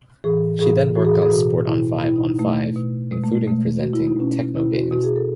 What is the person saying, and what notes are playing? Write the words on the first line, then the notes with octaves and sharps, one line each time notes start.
She then worked on Sport on Five on Five, including presenting Techno Games.
A2 E3 G#4
A2 E3 G#4
A2 E3 F#4
G#4
A4
G#4
B2 F#4
B2 E4
B2 E4
D#4
D#4
B2 A3
B2
B2 G#3
A3
G#3
B2 A3
B2 F#4
E4
D#4
B2 C#4
B2 E4
F#4
B2 F#4
G#4
A4